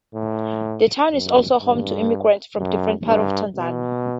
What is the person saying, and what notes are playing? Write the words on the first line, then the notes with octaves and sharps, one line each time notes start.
The town is also home to immigrants from different parts of Tanzania.
A2
F#2
G2
F#2
G2
B2